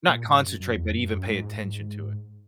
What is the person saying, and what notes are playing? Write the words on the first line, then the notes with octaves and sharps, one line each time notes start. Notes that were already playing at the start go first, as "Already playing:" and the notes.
Not concentrate, but even pay attention to it?
A#2
G#2
F#2
F#2
E2
F#2
F#2
G#2